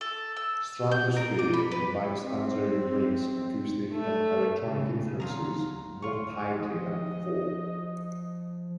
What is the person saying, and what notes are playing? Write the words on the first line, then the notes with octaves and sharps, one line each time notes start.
"Stratosfear" combines Tangerine Dream's acoustic and electronic influences more tightly than before.
A4
E6
G6
A#4
D6
B5
B4
C4
A3
C#3
D3 F#3 F4 G#4 A#5
D2
F4 C#6
F3 D#5